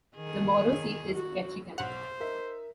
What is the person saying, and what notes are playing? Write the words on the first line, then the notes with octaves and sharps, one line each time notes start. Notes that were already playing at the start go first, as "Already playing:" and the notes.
The borough seat is Ketchikan.
D#3 G#4
F#4
B1 C5 F#5 F7
D#4 A#4 E5